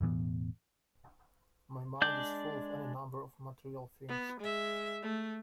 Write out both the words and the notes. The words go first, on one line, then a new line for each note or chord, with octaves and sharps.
My mind is full of any number of material things.
E1 A2 E3 B3
G#3 D4 D5 G6
B3
G#3 E5
A3